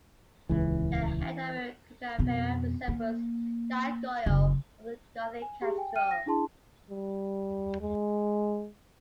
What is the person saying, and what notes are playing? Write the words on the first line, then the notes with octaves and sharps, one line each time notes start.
The head of the Cucafera resembles a gargoyle of the Gothic Cathedral.
D#1 C#2 E3
F2 B2
A#3
F#1 D4
G#5
G4 G#4
G5 G#5
G5 F6 D#7
A#6
D4 E4 G#4 A5 C6
G3
G#3